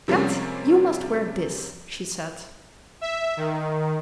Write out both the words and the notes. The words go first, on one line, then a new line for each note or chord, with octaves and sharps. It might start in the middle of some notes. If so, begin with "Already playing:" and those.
"Kat, you must wear this," she said.
C3 F3 G3 G#3 A#3 C#4
E5
D#3